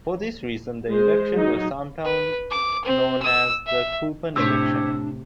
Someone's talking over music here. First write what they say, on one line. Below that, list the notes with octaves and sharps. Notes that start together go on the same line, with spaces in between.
For this reason the election was sometimes known as the coupon election.
G#3 C5
F#3 D#4
B4
D6
C4
E6
E5
A2 C3 D4 G4 C5 C#5 E6